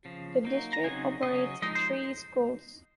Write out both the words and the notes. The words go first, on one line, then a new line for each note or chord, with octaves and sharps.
The district operates three schools.
C#3 F3
F#3 A#3 D#4
A#5
C#3 F#3 C4 D#4 G#5
C#3 F#3 C#4 D#5
F3 G#3 D#4 D#5
C5